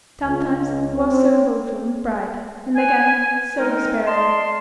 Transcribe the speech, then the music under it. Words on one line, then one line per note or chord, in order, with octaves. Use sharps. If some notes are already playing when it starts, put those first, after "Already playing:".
Sometimes he was so hopeful and bright, and again so despairing.
C#2
C4
B4 G#5
G#3 C4 D#4 A#4
D5 D#5 A5 C6